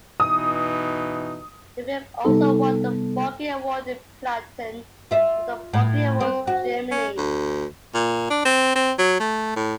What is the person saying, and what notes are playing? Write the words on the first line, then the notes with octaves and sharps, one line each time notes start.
The film also won the Bogey Award in Platin from the Bogey Awards, Germany.
B2 E3 D#4 D#6
C3 G3 B3 D#4 A4
F4 E5
A2
C4
F#4
C#4
D2
A#2
D4
C4
C4
F#3
A3
A2